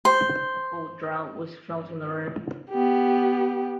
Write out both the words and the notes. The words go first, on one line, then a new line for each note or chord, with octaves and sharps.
A cold drought was felt in the room.
C5
B3 G4